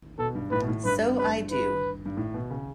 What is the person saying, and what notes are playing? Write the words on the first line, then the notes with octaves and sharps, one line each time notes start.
So I do.
B2 A4
G2
A2 B4
B2
A2
G2 B4
B4
B4
G2
A2
B2
C#3